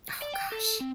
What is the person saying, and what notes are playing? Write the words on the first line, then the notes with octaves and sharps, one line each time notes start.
Oh gosh.
D5
G5
A4
C4